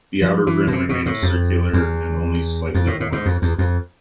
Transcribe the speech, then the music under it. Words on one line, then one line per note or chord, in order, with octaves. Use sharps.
The outer rim remains circular and only slightly worn.
F3
E3
B2
C3
B2
A2
F2
E2
F2
A2
A2
G#2
F2
E2
F2